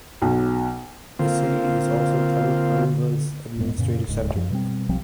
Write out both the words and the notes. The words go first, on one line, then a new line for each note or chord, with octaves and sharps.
The city is also Taluk Aluva's administrative center.
B1
D3 A#3 C4 F4
E1 G#2 B3
F#2 A#2 C#3
D1 C#2 G#2
F#2 F3
B2 G3 C4
B1 F3 G3 C4